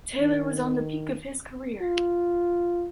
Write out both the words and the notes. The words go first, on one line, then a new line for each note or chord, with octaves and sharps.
Taylor was on the peek of his career.
D#3
F4